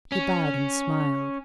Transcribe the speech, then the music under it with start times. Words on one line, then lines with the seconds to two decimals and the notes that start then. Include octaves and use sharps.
He bowed and smiled.
0.12 C#4